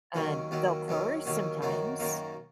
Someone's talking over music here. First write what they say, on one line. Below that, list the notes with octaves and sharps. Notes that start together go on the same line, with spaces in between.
Um, they'll purr sometimes
D#2 D#3 F#3 C#4
D#2 D#3 F#3 C#4
D#2 D#3 F#3 C#4
D#2 D#3 F#3 C#4
F#2 D#3 F#3 A#3 D#4
F#2 D#3 F#3 A#3 D#4